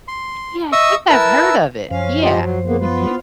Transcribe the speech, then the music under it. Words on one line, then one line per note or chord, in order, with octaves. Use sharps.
Yeah, I think I've heard of it. Yeah, mhm.
C6
D#5 E5 C#6 D#6 E6
E4 A#4 B4 A5 E6
F#2 F3 C#4 C5 F5
F4 G4 D#5
F#3
C#3 A#3 B3
B3 F4 B4
C5 F5